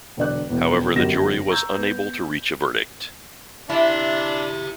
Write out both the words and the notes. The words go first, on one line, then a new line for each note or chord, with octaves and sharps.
However, the jury was unable to reach a verdict.
E1 D3 D5 F#6
E1 E2
G1 F#2 C#4 G4 A#6 E7
A#5 C#6 E6 G6 G#6
B3
D4 E4 G4 E5